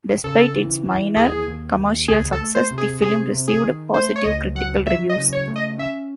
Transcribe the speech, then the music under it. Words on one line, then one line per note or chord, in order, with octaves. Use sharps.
Despite its minor commercial success, the film received positive critical reviews.
C#3 A4
E3
E3
D#2 G#4
D#2
D#2
C#2 G#4
A4
A3
C5
C3
G#4
C3 G#4
C3
G#4
D#3
A3 C5
C#5
C#2 D#5
F#3 F#5
F#3 E5
D#5
C#3
C#5
A3
D#5
C#4 E5